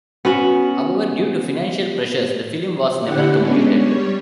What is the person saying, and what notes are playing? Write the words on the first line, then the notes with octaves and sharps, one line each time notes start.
However, due to financial pressures, the film was never completed.
B3 C#4 F#4
D3 E4 G4 F#5
G#3 B3 C#4 D4
G3 C#5